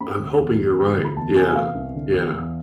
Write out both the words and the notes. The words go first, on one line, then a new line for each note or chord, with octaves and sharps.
I'm hoping you're right, yeah. Yeah,
C4 B5
D2
E2
E2
D3
D2
B5
E2 A5
C3 G#5
G#5
B3 F5
C2
D3
E2
E2